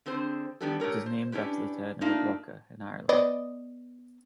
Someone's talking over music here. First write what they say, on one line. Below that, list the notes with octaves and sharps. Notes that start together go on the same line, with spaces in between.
It is named after the town of Avoca in Ireland.
D3 C4 G#4 C5
D#3 G3 B3 D4 G4 A4
A3 G4 A#4 C#5
C5
C#4 D4 E4 G4 B4
A3 A#3 D4 D#4 F4
B3 D5 D#5